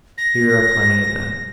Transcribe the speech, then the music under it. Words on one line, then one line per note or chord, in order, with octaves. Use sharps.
Here are plenty of them.
A#6